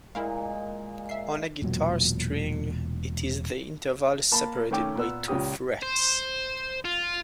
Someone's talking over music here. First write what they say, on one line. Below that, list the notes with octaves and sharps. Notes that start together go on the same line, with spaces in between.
On a guitar string, it is the interval separated by two frets.
A#2 G#3 E4 A#4 F5
E5 C7
E1 A#2 F#3
A#3 A5 B5
D#3 A3 C#4 G5 D6
A#2 B3 E6
C#2 A#2 C#4 G4 D#6
C5
F4